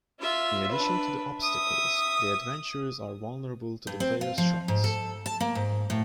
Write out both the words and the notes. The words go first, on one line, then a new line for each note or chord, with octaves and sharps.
In addition to the obstacles, the adventurers are vulnerable to the player's shots.
F4 E5
D4 B4
E5 D#6
G2
C4
F4
F3
G#2
A4
A5
A#3
G#2
A2